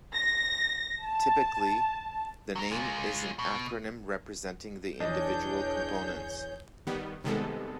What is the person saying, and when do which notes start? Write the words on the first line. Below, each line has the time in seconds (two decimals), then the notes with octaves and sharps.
Typically, the name is an acronym representing the individual components.
0.14 A#6
1.04 A5
2.56 F#3 A#4
2.71 G#3 F4
3.39 B2
5.00 E1 E2 D4 G#4 C#5 D#5 G6
6.87 D#3 G3 B3
7.24 C3 D#3 G3 G#3 B3 A4